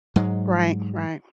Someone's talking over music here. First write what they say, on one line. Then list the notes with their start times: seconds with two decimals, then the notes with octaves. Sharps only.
Right, right.
0.16 G#2 F#3 G#3